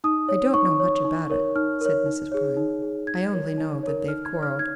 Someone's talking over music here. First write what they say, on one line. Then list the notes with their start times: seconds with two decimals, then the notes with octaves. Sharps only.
"I don't know much about it," said Mrs. Prime; "I only know that they've quarrelled."
0.04 D#4 D#6
0.29 C#5
0.54 D#4 C#6
0.80 C#5
1.05 D#4
1.30 A#4 C#5
1.55 D#4 F6
1.81 A#4 C#5
2.06 D#4
2.32 G#4 C#5
2.57 D#4
2.82 G#4 C#5
3.07 D#4 G#6
3.33 A#4 C#5
3.58 D#4
3.83 A#4 C#5
4.08 D#4 F6
4.25 G#6
4.34 C#5
4.43 F6
4.58 D#4 G#6